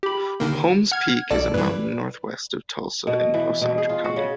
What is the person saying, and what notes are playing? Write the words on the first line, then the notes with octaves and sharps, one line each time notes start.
Holmes Peak is a mountain northwest of Tulsa in Osage County.
G4 B5
D3 D#3 A#3
F#5 F6 G#6
B1 A4 D5
G2 E3 B4
B2
E3
B2
G#4
F4
F#4
C#3